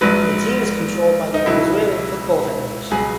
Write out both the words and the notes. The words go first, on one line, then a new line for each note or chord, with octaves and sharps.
The team is controlled by the Venezuelan Football Federation.
A#1 G#2 F#3 B4
D#4
C#2 B2 F#3 E4
C#2 B2 F#3 G#4